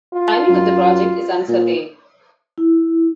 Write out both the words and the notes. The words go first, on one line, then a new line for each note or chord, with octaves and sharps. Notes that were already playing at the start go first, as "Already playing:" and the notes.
Timing of the project is uncertain.
F4
F#2
A#2
E4